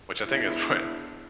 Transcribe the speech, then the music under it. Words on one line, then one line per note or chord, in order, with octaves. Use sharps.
Which I think is what
G#3 B3 D4 E4